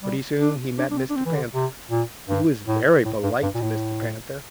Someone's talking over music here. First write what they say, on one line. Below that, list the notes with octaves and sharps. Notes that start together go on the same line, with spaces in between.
Pretty soon he met Mr. Panther. He was very polite to Mr. Panther.
G3
D4
D4
D4
C4
D4
C4
E3
D3
C3
A#2
G2
A2
A2
G2
G2
A#2
A2